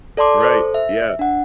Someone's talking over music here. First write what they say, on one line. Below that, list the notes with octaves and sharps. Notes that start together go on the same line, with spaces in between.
Right, yeah.
A4 D5 A5 C6 D6
A4 C5
E5
D4 F#5